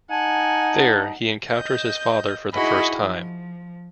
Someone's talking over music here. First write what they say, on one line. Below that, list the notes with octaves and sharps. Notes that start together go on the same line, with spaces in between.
There, he encounters his father for the first time.
D#4 F#5 G#5 A5
D#5 G6
D#4 E4 F#4 G#4 D#5 B5
F3